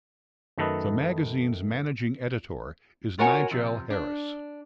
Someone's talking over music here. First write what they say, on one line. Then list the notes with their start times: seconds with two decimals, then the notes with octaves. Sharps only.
The magazine's Managing Editor is Nigel Harris.
0.58 F#2 D#3 A3 A4 B4 D#5
3.18 F4 F#4 A#4 C#5 F#5 G#5
3.51 C3 F3
3.90 D4